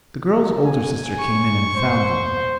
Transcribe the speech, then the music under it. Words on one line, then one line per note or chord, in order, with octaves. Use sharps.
The girl's older sister came in and found them.
G#5
C#6
C5